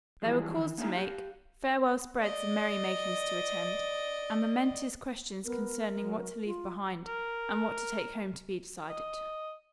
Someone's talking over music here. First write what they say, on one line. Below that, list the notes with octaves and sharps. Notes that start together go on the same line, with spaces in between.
There were calls to make, farewell spreads and merry-makings to attend, and momentous questions concerning what to leave behind and what to take home to be decided.
E3 F3 G3 G#3
D#3 E3
A#3 D#4 E4 G#4 E5 A#5
G4 F5
D5 D#5
B3 A#4
F#3
F4
A#4
D#5